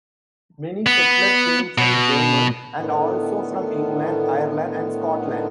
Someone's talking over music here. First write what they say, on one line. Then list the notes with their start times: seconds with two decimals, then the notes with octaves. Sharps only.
Many settler came from German, and also from England, Ireland and Scotland.
0.86 B3
1.78 B2
2.77 A2 D3 D#3 B3